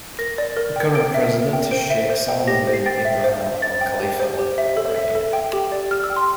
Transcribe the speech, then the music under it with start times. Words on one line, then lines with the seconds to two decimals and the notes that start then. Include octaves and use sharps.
The current president is Sheikh Salman Bin Ibrahim Al-Khalifa of Bahrain.
0.19 A#4 A#6
0.38 D5
0.57 A#4
0.76 G5
0.95 A#4 D7
1.14 E5
1.34 A#4
1.53 G5
1.71 C5 D7
1.90 E5
2.10 C5
2.28 G5
2.47 G4 A#6
2.67 C5
2.73 C7
2.86 G5 A6
3.05 E5
3.24 C5
3.43 E5
3.62 C5 A6
3.81 G5
4.00 G4
4.20 C5
4.39 G4
4.58 E5
4.77 A4
4.96 E5
5.15 A4
5.33 G5
5.53 G4
5.72 D5
5.91 G4 F6
6.04 E6
6.10 G5
6.16 C6